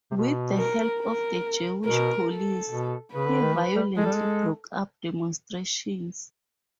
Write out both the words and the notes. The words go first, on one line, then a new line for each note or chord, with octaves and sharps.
With the help of the Jewish police, he violently broke up demonstrations.
C3
B2
A#4
A#4
B2 A#4
A4
B2
C#3 B4
D3
D#3
E3
G3
G#3 A4
G3
G#3